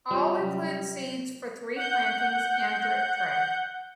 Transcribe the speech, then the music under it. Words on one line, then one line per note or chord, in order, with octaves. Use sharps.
All include seeds for three plantings and drip tray.
G3 F4 C#5 D#5
C3 F#3 C#4
F#5 G6